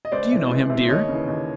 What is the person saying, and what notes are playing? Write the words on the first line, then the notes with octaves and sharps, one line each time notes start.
"Do you know him, dear?"
D#5
C#2 C5 D5
C3 E3
C#2
C3 E3
D#2 C#5 D#5
C#3 E3
D#2